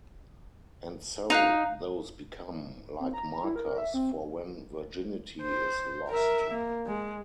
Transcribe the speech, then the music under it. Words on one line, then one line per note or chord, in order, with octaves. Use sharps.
And so those become, like markers, for when virginity is lost.
D#4 F5 F#6 F7
C4
A#5
A#5
E4
A#4
E5
C4
C5
A#4 E5
A#3
G#3